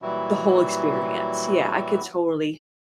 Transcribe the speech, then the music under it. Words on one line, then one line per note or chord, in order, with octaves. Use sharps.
the whole experience. Yeah, I could totally s
A#2 E3 F#3 G3 E4 F#4